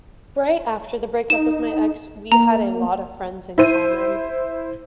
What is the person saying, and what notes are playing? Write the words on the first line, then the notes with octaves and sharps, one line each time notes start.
right after the breakup with my ex, we had a lot of friends in common,
D#4 E7
A#3 A#5
E4 C5 D#7